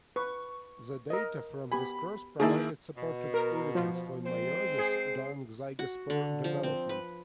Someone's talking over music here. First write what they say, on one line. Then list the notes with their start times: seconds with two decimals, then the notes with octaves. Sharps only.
The data from this cross provided supporting evidence for meiosis during zygospore development.
0.16 B4 C#6
1.10 A#4 D#5
1.72 B3 G4 G#5 B5
2.40 D#3 A#3 E4 G#4 A5
2.95 B2
3.34 A#4
3.75 F3
4.25 G#3 C4 C5
4.78 G#4 C7
5.79 F#4
6.10 D3
6.44 F3
6.63 C4
6.89 B4